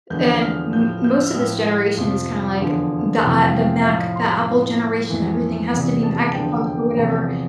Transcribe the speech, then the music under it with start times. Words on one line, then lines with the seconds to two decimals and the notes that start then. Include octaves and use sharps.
and m most of this generation is kinda, like, the, A the Mac the Apple generation. Everything has to be Macintosh or whatever.
0.10 E2 D3 F3 G6
0.41 F6
0.73 A2 F3 G6
1.04 G6
1.11 F6
1.19 E6
1.27 F6
1.35 A2 F3 E6
1.97 F2 C3 F3
2.60 E2 D3 F3
3.22 F2 C3 E3 G5
3.50 F5
3.53 G5
3.80 E5
3.85 A2 F3 F5
4.16 C6
4.47 A2 F3
5.10 F2 E3
5.72 E2 C3 E3
6.03 A5
6.27 A5
6.34 E2 D3 F3 G5
6.66 G5
6.97 E2 C3 F3 A#5